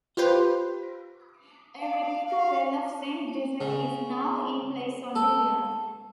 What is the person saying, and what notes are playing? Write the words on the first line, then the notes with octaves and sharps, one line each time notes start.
A Replica well of Saint Bridget is now in place on the hill.
F4 G4 B4 C5
F5
F5
C#3
A4